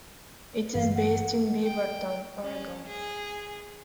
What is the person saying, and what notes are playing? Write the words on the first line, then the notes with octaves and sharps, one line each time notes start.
It is based in Beaverton, Oregon.
G1 G2 E3 F5
F#5
G5
C#4
G#4